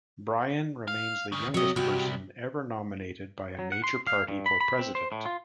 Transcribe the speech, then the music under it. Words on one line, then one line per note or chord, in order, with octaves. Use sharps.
Bryan remains the youngest person ever nominated by a major party for president.
F5
D2 C#3
C3 F#3 C#5 D#5
C2 F#4 G4
F#3
F#5
C6
F5
G2
B5
B5
C4
C5
A2
F4